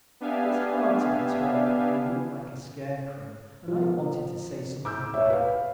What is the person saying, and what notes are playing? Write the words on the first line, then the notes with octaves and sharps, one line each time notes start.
It's hard to be told you look like a scarecrow and I wanted to say something back.
B3 D4 G4 E5 F5 G#5
F3
D6 E6 G6
C#5 E5
B4 F5